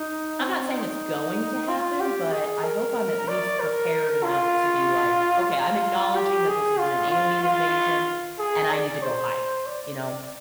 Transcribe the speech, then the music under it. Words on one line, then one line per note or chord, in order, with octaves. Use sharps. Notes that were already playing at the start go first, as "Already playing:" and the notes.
I'm not saying it's going to happen, but I hope I'm at least prepared enough to be like, "Okay, I'm acknowledging that this is an an alien invasion, and I need to go hide," you know,
Already playing: D#4
C4
D#4
F4
G4
G#4
A#4
D5
A#4
F4
F4
G4
G#4
F4
F4
F4
G#4
D5
C5
D5